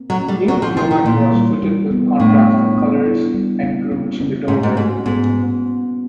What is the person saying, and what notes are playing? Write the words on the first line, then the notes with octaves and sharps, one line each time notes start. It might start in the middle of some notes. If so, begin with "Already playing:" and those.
New flooring was fitted, with contrasting colours and grooves in the doorways.
Already playing: A#3 C4
F#3
C#4
G3
F#3 C4
F3
F3 E4
D#3
A#2 E3
G3
G3
B3
A2 D4
F4
B3
E4
G3
A#3
A#3
C#4
G#2 C#4
G#2
G#2 F#4
G#2 B3